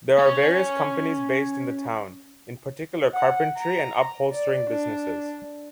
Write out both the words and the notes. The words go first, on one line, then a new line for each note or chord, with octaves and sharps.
There are various companies based in the town, in particular carpentry and upholstering businesses.
C#4 C#5
F#5
A#5
D5
D4